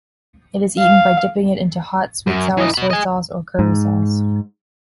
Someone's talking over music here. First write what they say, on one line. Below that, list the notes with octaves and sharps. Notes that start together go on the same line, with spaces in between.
It is eaten by dipping it into hot sweet-sour soy sauce or curry sauce.
F5
F#2
E3 D#5
F#4 B5
D#5 G#5
G#2